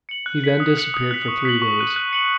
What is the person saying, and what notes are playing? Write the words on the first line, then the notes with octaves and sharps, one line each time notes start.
He then disappeared for three days.
C#7 F#7
F#6
B6 F#7
D#6
F#6 C#7 F#7
D#6
F#6 B6
C#6
B6 F#7
C#6
F#6 D#7
F#6
C#7 F#7